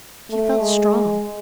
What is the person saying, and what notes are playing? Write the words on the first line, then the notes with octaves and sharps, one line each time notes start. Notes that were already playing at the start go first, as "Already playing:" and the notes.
She felt strong.
A3
G#3